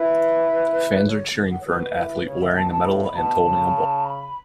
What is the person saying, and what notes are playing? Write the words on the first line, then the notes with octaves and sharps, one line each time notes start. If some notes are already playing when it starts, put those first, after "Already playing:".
Fans are cheering for an athlete wearing a medal and holding a ball.
Already playing: E4 B4
C#5
F#5
C#5
F#4 B4
E4
C#3 C#5
E5
B2 A5
A5
A2 B5
B5
B2 A5
C#3
B5